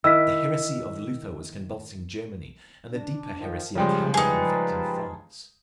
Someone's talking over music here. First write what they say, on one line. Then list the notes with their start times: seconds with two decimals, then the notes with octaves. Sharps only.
The heresy of Luther was convulsing Germany, and the deeper heresy of Calvin infecting France.
0.04 D#3 E4 E6 B6
2.92 D4
3.39 D#3 F3
3.75 C#3 F3 G3 G#3
4.14 F3 D#4 G#4 B4 A5